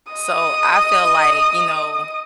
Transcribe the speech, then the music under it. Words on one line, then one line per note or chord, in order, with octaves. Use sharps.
So I felt like, you know,
D#5 D#6